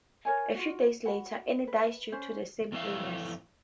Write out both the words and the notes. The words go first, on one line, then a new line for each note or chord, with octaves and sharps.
A few days later, Anne died due to the same illness.
A#4 C#5 G#5
F4 F#4
F#4 F#5 B5
B4
C#4 C5
F2 A2 E3 A3 F5